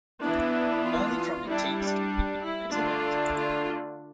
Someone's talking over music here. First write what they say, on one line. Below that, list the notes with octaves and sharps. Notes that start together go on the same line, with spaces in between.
Only from the tapes can he be resurrected.
E3 B3 D4 E4
F4
G3 D4 E4
D4
E4
D3 A3 D4 F4
F4